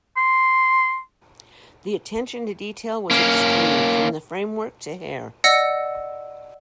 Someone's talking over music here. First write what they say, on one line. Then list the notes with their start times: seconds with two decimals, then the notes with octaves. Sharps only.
The attention to detail was extreme, from the framework to hair.
0.17 C6
3.11 A#3 C#4
5.44 D5 D#5 F#5 E6 A#6 C#7